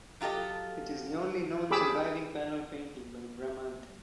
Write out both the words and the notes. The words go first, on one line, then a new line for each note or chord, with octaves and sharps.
It is the only known surviving panel painting by Bramante.
F#3 F4 G4 A4 D#5
G4 G#4 B5 D6 E6